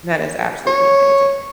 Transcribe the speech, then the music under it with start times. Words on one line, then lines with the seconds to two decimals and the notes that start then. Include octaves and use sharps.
that is absolutely amazing,
0.67 C#5